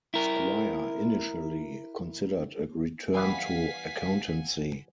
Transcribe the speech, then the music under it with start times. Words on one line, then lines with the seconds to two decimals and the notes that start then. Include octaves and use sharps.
Squire initially considered a return to accountancy.
0.14 E4 A#4
3.14 E3 G3 B3 F5 F#5 G#5 B6